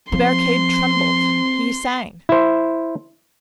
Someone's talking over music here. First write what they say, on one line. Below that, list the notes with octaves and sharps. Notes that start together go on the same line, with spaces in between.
The barricade trembled; he sang.
F3 C4 C6
E4 C5